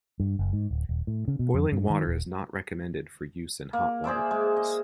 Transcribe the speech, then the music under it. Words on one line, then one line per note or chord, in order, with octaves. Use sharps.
Boiling water is not recommended for use in hot water bottles.
G2
F#1
G#2
D1
D#1
A2
C#3
B2
F2
G2
D#3
D#1
A#3
G#4 C5 D5 E5
G#3
D#5